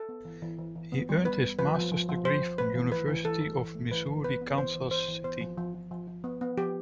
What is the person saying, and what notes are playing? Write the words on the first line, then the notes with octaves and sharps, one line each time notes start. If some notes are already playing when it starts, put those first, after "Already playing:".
He earned his master's degree from University of Missouri-Kansas City.
Already playing: A4
B3
E3
E3
E3
E3
B3
G3
B3 B4
B3
F3 B4
F3
F3
F3
F3 C5
F3
A3 B4
E3
E3 B4
E3
E3 A4
E3
E3
A3
E3 B4
E3
B3 B4
B3
E3 C5
E3
E3 C5
E3
B3 C5
F3
F3
F3
F3
F3
B3
B3
F3 G4